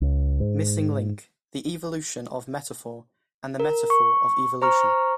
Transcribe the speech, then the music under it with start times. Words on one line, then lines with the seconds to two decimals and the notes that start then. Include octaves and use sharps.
Missing Link: the Evolution of Metaphor and the Metaphor of Evolution.
0.01 C#2
0.40 G#2
3.60 A#4
3.90 C#6
4.62 C5 A#5 C#6 F6